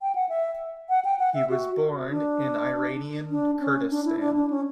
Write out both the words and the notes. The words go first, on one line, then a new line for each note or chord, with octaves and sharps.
He was born in Iranian Kurdistan.
G5
F#5
E5
F#5
G5
F#5
E5
F#4
D4
D4
C#4
D4
E4
D4
D4
C#4